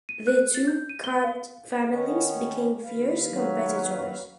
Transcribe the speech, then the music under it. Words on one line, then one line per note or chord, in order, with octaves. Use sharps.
The two Cant families became fierce competitors.
D#7
F#6
A6
G6
D#7
G7
F5
D#3 B3 C#4
D#2 B4 F5
F#3